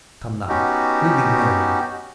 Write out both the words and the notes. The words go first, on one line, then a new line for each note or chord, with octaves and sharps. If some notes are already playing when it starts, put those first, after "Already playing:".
Come now, we'll be merry.
B3 C#4 D#4 F#4 G4